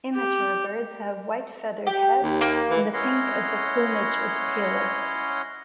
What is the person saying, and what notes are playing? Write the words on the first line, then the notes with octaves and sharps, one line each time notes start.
Immature birds have white, feathered heads, and the pink of the plumage is paler.
G4
G4
D#2
A#3
E3
C#4 E4 C#5 D#5 F#5 C6